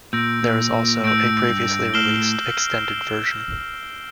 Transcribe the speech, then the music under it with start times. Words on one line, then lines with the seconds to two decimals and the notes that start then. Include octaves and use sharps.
There is also a previously released extended version.
0.13 A#2 E6 G6 A#6 D7
0.43 A#2
0.73 A#2
1.04 A2 E6 G6 A#6 D7
1.49 G2
1.94 A2 F6 C7 E7 G7